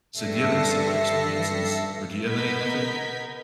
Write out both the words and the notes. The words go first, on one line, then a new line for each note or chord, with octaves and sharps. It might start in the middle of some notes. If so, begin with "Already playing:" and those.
So, do you have any similar experiences? Or do you have any method?
G2 A4 E5 A#6 C7 C#7
B3 A#4 D#5 G6 G#6 B6